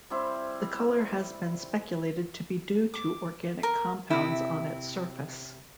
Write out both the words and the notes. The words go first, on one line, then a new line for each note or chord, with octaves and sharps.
The color has been speculated to be due to organic compounds on its surface.
G3 C4 E4 C5
D6
A#4
C3 E4